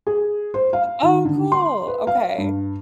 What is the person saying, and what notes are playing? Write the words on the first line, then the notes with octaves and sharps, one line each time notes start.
Oh, cool. Okay.
G#4
C5
F5
D#3
D3
C6
B4
F5
G2